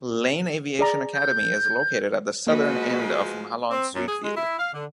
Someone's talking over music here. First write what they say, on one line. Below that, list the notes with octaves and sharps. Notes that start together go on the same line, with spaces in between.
Lane Aviation Academy is located at the southern end of Mahlon Sweet Field.
G#4 D5 A#5
G6
F3 G#3 A#3 F#4 B4 D#5
C4
F#2
G#4
G#3
E4
F5
D3